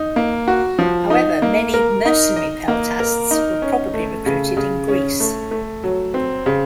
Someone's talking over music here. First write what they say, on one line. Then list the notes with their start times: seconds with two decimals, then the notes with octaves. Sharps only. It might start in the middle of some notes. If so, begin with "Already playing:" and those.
However, many mercenary peltasts were probably recruited in Greece.
Already playing: D#4
0.16 A#3
0.48 F#4
0.79 F3
1.10 D#4
1.42 A#3
1.74 A#4
2.05 D#4
2.36 D#5
2.68 A#3
3.00 A#4
3.31 D#4
3.62 C#4
3.94 A3
4.26 C#3
4.57 C#3
4.88 C#4
5.20 A3
5.51 A3
5.84 F#3
6.14 C4
6.46 C#3